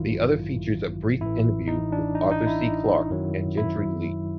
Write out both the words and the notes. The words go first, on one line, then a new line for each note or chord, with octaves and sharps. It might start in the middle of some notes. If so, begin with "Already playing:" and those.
The other features a brief interview with Arthur C. Clarke and Gentry Lee.
Already playing: A1 G2 D#3 F#3 E4 F4
A1 A2 E3 E4
D#4
D4
D#4
D#4
E4
F#2 D#3 F#3
E4